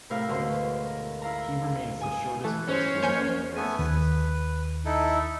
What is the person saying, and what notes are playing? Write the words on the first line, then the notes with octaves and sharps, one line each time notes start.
He remains the shortest-priced winner in the race's history.
A2 C3 E4 A#4 F5
D2 G#2 B2 C#4 C6
A#4
E4 F5 A#5
G#5 D#6
E3 A3
C#4 C5
A#3 C#5 G#5 G6
A3 B3 G#5
D#2 B4
D#4 E4 A4